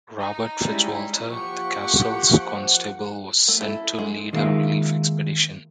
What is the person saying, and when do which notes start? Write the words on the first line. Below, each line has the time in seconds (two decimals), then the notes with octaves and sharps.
Robert FitzWalter, the castle's constable, was sent to lead a relief expedition.
0.20 D#5 A#5
0.62 G3 G#3 C#4 E4
1.30 F3 A#3 G4 F#5 C#6
3.48 A3
3.61 E4 A4
3.99 G#3
4.33 D#3 G#3 A#3 E4 F4